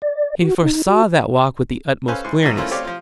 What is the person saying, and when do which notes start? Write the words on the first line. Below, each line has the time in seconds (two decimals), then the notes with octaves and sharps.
He foresaw that walk with the utmost clearness.
0.02 D5
0.42 F#4
0.63 D#4
0.87 F#4
2.08 C#4 A4 B4 C5 F5 G#5
2.24 G#2 E4
2.43 B2 E3 F#3
2.57 A3 C4 C#4 E4 F4 A#4
2.71 A3 C4 G4 C#5 D5 F5
2.85 F3 F4